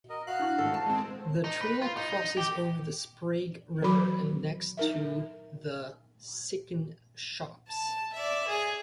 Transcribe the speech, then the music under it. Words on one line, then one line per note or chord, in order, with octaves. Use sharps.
The trail crosses over the Sprague River and next to the Sycan Shops.
A#4 D#5
F#4 F5 F#6
D4 E4 C#6
A1 G#2 D#3 A4 F#5
A5
G#3 C4
D#4
B4
F4
D#4
G4
D#3 E3 F#3 F#4 B5 D6
D#4 A#4 E5
A5
D5 E5
G#4